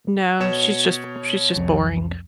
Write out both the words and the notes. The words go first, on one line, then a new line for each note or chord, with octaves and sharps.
No, she's just she's just boring.
B2 C#5 E7
C2 F2